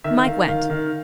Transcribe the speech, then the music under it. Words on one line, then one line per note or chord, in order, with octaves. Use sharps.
Mike went.
D#3 E5
D#3 F5
D#3 F5
D#3